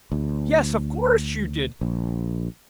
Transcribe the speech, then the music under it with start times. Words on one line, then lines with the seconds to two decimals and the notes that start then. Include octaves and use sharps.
'Yes, of course you did!
0.12 D2
1.81 A#1